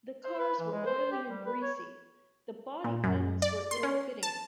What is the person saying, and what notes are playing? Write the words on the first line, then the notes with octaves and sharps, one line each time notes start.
The cars were oily and greasy, the body panels were ill-fitting.
C5
B4
E3
G#3
C5
G4
G3
B4
C#5
A#2
F#2
D5
C6
C#4
A5